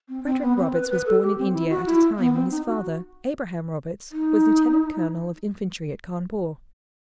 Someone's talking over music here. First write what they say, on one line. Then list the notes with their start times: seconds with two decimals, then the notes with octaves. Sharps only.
Frederick Roberts was born in India at a time when his father, Abraham Roberts, was lieutenant colonel of infantry at Cawnpore.
0.09 C4
0.25 C4
0.42 B3
0.58 C4
0.73 B4
0.90 B4
1.06 A4
1.22 G4
1.38 C4
1.54 E4
1.70 F#4
1.86 E4
2.18 B3
2.34 C4
2.51 D#4
2.67 F#4
4.12 D#4